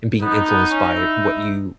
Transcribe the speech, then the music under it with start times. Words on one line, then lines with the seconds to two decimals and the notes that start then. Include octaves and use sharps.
and being influenced by what you
0.21 B3 D#4
0.46 B3
0.71 C#4
0.96 E4